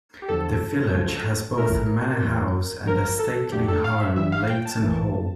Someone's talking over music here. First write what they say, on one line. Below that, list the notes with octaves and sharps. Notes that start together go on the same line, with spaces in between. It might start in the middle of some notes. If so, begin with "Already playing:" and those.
The village has both a manor house and a stately home Leighton Hall.
G4
E2 D3 F3 A4
C#2 C#3 F3
A#2 A3 C#4 E4 A#4
E2 E3 G3 A#3
G1 G2 F3 A#4
A4
F2 D3 A3 D4 G4
A4
F5
E5
G1 G2 E3 G3 E5
F5
G5
A5
A#1 A2 E3 A#3